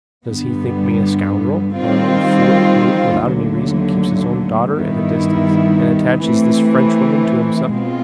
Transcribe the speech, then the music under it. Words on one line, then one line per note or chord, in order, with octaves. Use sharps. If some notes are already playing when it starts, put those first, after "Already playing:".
Does he think me a scoundrel, or an old fool who, without any reason, keeps his own daughter at a distance and attaches this Frenchwoman to himself?
G2 D3 G3 B3
D#3 G3 C4 F4
D#2 D3 F#3 A3
G2 D#3 G3 B3 E4
E3 A3 C4
B2 G#3 C4 F4